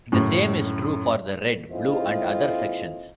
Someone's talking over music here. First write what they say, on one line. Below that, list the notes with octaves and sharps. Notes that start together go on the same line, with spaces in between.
The same is true for the red, blue and other sections.
F#2 A2 C#3
D#2 C4 E4 F4 A4 D#5